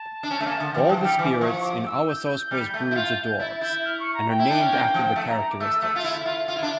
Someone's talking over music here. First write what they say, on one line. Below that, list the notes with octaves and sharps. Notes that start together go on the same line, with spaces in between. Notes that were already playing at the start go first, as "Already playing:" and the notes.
All the spirits in Awasosqua's broods are dogs, and are named after their characteristics.
Already playing: A5
D4
C#4
A3
A#3
D3
E3 G5
F3
G5
G3
E3 D6
F3 C#6
D6
E6
G6
G3 G6
A3
E4
F4
E4 A6
E4 G6
F6
C#6
A#5
G5
E4
D4
C#4
A#3
F3
A3 A5
A#5
A#5
D6
A3 E6
A3 E6
F4
E4
E4
F4
F4
E4
D4